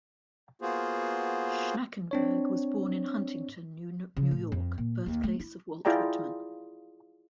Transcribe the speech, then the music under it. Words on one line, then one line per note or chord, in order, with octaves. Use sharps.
Schnakenberg was born in Huntington, New York, birthplace of Walt Whitman.
A#3 B3 F4 F#4 G#4 C5
C4 D4 C#5
C#3
A2
F2
A#2
D#2
A3
E4
E4 F4 G#4 D5 G5 A#5